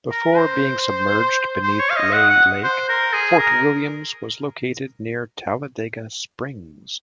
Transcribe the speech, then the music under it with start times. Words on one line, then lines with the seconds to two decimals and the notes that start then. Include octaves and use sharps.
Before being submerged beneath Lay Lake, Fort Williams was located near Talladega Springs.
0.11 A#4
0.37 C5
1.63 C5
1.79 C#5
1.90 F5
1.96 D#5
2.13 F#5
2.30 F#5
2.64 C5
2.89 A#4
3.13 G#4
3.39 A#4